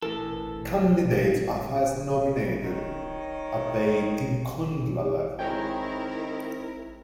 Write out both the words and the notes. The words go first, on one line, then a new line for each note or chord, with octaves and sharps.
Candidates are first nominated at the "tinkhundla" level.
A2 E3 A4 A#4
D#3 C#5
D#3 G#3 C4 E4 A#4 C#5 G5